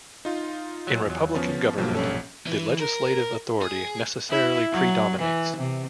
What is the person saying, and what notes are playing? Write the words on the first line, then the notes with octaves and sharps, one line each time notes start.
In republican government, the legislative authority necessarily predominates.
D#4 F4
A#2 F#3
E2 F#3
F3 B3 C#4
B1 G2 F3 F#3 A#3
A#1 C#4 A4
E3
A#4
G#4
E4
F#3
E3
C3